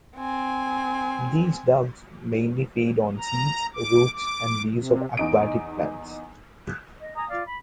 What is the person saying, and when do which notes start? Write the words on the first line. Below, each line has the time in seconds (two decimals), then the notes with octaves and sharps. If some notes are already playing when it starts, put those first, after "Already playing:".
These ducks mainly feed on seeds, roots, and leaves of aquatic plants.
0.17 C4 G#5
3.18 A#5
3.74 D6
4.13 D6
4.69 C3
5.17 E2 D#4 D7
7.00 D#5
7.14 G#5 A#5 D#6
7.29 F4 D5 F5
7.46 B5